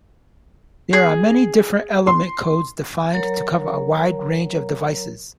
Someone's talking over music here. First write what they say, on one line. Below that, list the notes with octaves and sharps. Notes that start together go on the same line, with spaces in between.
There are many different element codes defined to cover a wide range of devices.
G#4
C6
F#3 A#4 C#5 A#5